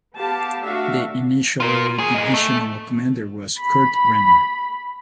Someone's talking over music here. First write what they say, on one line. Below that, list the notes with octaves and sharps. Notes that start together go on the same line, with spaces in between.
The initial divisional commander was Kurt Renner.
B3 G4 F5 A5
A3 D4 F#4 E5 F5
F4 A#4
D#2 G#4
A#2 D#5
A3
B5